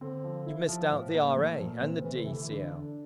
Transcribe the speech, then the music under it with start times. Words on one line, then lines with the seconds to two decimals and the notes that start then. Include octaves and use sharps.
"You've missed out the R.A., and the D.C.L."
0.01 D3 C4
0.24 F3
0.46 E4
0.69 F3
0.91 A2
1.14 A#3
1.36 F3 A3
1.59 A#2 F3
1.81 E3 C4
2.04 E3 A3
2.14 D3
2.23 C3 E3
2.34 D3
2.49 D4
2.70 D4